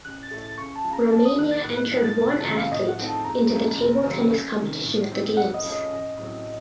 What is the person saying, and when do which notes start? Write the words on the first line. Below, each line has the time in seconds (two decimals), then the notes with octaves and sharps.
Romania entered one athlete into the table tennis competition at the games.
0.05 A1 F#6
0.23 A6
0.31 A2 A3
0.41 A6
0.58 C#2 C#6
0.76 A5
0.84 C#3 F3
0.93 A#5
1.11 F2 A5
1.25 D#6
1.38 D#3 A#3 D#4 F#6
1.51 A6
1.64 A2 F#6
1.77 F#6
1.91 F3 A#3 D#4 F#6
2.04 A6
2.18 F1 A6
2.31 F#6
2.40 A5
2.44 D#2 C#3 F3 C4 A#5
2.57 F5
2.71 A2 D#5
2.89 F#5
2.98 F3 A3 C4 D#4
3.06 A5
3.24 F#1 A#5
3.51 F2 C#3 F3
3.77 F1
4.04 D#2 C#3 F#3
4.31 C#2
4.57 C3 D#3
4.83 A2
5.10 F#3 C4 D#4
5.37 F2 F#5
5.54 D#5
5.63 C#3 F3 A3 C#4
5.72 D#5
5.90 A1
6.18 A2 F#3 C4